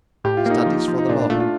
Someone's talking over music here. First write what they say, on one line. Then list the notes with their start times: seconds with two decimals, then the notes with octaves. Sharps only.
Studies for the law.
0.24 A2 G4
0.37 F4
0.46 A#3 D#4
0.62 F3 F4
0.88 F3
0.98 D#4
1.09 A#2 D4
1.19 D4
1.30 A3 F4
1.40 F4